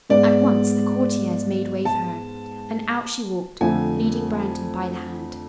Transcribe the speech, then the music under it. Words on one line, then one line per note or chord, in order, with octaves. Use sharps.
At once the courtiers made way for her, and out she walked, leading Brandon by the hand.
G#2 G#3 B3 D5
A5
F2 D3 F3 A3 G#5